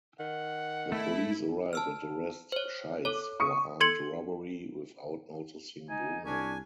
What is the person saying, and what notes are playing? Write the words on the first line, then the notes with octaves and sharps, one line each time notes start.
The police arrive and arrest Scheitz for armed robbery without noticing Bruno.
D#3 F#5
A3 E4
A5 E6 F6
C5 C#5
A4 C#5 D6
C#6 D#6 C#7
A4 C6 G#6 C#7 F#7
D#4 G#5
C2 C#4 D4 G#5